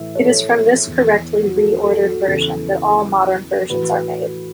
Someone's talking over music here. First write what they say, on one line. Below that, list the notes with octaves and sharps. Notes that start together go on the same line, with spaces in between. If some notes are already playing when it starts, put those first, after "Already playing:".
It is from this correctly re-ordered version that all modern versions are made.
Already playing: A2 E3 E5
A4 C#5
E2 E3
F#4
A4
A4
F#4
E2 C#3 E3 A4
A2 E3 F#4 B4